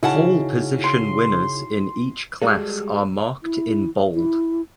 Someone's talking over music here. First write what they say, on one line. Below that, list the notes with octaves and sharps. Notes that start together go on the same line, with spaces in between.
Pole position winners in each class are marked in bold.
C#3 D#4 E4 F#4 F#5 A5
C6
G3 G#3 F#4 G#4 A4
E4
E4